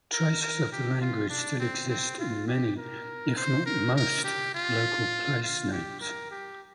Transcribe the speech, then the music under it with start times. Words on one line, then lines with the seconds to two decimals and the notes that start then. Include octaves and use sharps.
Traces of the language still exist in many, if not most, local placenames.
0.12 A#4
0.42 A#4
0.72 G4
1.01 F4
1.30 D4
1.60 C4
1.90 C4
2.19 F4
2.48 G4
2.77 A#4
3.37 C5
3.66 A#4
3.96 A#4
4.24 G4
4.55 F4
5.43 F4
5.72 G4
6.01 A#4
6.31 G4